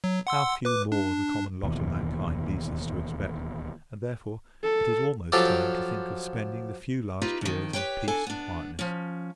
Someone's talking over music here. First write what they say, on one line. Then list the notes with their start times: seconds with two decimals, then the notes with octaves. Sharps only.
How few more, the common lot of mankind leads us to expect; and, therefore, it is almost time to think of spending the few last years in peace and quietness!
0.04 F#3
0.27 F#5 C6 E6
0.65 B4 D6
0.92 D4
1.63 D1 D#2 B2 E3
4.63 A4
5.32 F3 F#3 F4 G4 A4 D5
7.22 D#4 F4 G4 B4
7.41 F2 D#3
7.73 G4 B4 C#5 G5
8.08 D4 A4 G#5
8.27 B3 D4
8.79 F3 C#4